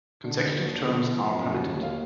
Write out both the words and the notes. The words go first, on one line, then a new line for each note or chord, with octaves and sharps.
Consecutive terms are permitted.
D3 F#4
D#2
F#4
D3
B3 F4
F3
F#2
D#2 F#4
D#2
F5